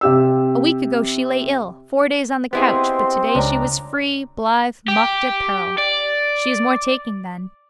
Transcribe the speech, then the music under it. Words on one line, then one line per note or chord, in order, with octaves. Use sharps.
A week ago she lay ill, four days on the couch, but today she was free, blithe, mocked at peril. She is more taking then.
C3 G4 E6
B3 C4 E4 G4 G#4 D#5 F5 C6
C#2 D4 D5 G#5 A#5
G4
D5